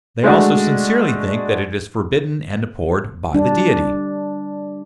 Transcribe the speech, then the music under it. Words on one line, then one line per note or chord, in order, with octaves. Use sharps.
They also sincerely think that it is forbidden and abhorred by the Deity.
G#3 A3 D4 F#4
G3 D4